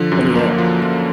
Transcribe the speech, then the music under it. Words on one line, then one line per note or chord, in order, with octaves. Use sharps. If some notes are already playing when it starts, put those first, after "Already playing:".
Let me hear it.
Already playing: D3 F3
F#2
A#3
F3
F3